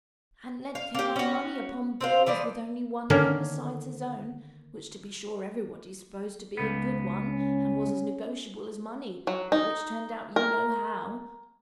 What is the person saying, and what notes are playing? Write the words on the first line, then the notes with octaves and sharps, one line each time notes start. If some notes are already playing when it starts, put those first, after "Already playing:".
And lent him our money upon bills, with only one name besides his own, which to be sure everybody supposed to be a good one, and was as negotiable as money, but which turned out you know how.
F5
A#3 G4
C#4 F#4
C4 C5 F5
E3 F3 D5 D#5
D3 D#3 A#3 C#4 A#4
C#2 B3
C#4
F#3
D#4
A#4